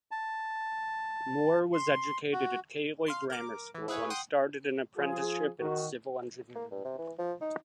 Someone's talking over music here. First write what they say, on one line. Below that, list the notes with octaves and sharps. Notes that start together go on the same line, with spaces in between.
Moore was educated at Keighley Grammar School and started an apprenticeship in civil engineering.
A5
C6
F#4
F5 C6 C7
A#4 D6
E3
E4 G#4 B4 C#5
F#5 G5 C6 D#6
F3 F4 G#4
D#3 F#4
A#3
G2
C3
E3
F3
D#4